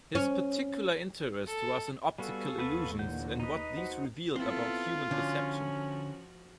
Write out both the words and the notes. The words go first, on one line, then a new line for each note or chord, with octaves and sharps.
His particular interest was in optical illusions and what these revealed about human perception.
C#4
A4
G3 B3 F#4 A4 F5 G#5 C#6
D#2 B3 G#4 B4
A#2 D3 E3 F#5 G6
D#4 B4 D#5 D#6
F#4 C5 F#5
B3 C4 E4 F4 A4
D3 F3 C#4 F#4